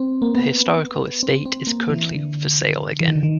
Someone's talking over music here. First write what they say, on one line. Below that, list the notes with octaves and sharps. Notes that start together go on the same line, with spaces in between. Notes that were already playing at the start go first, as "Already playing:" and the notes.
The historical estate is currently up for sale again.
Already playing: C4
A#3
B3
C4
C4
A#3
E3
D3
E3
D#3
D3
D#3